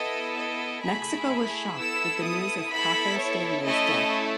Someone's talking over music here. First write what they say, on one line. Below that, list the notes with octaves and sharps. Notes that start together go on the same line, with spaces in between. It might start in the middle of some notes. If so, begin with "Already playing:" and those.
Mexico was shocked with the news of Paco Stanley's death.
Already playing: B3 E4 A4 D#5
D#5
A3 E4 G#4 B5
B3 E4 A4 E6
D#6
B3 E4 A4 B5
C#5
A3 C#4 E4 A4 D#5